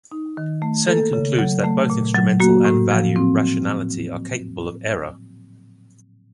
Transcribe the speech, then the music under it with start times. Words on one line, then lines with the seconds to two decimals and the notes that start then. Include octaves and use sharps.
Sen concludes that both instrumental and value rationality are capable of error.
0.12 D#4
0.37 D#3
0.62 A3
0.87 A#3 A4
1.13 C#3
1.38 F#3
1.64 A3
1.90 A#2
2.15 F#3
2.40 A#3 F#4
2.65 A2
2.91 F3
3.16 C4